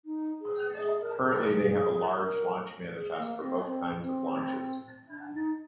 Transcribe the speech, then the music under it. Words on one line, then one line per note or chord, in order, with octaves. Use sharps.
Currently, they have a large launch manifest for both kinds of launches.
D#4
G#4
G#4
A#4
G#4
A#4
G#4
A#4
G#4
A#3
C4
C4
C4
D4
D#4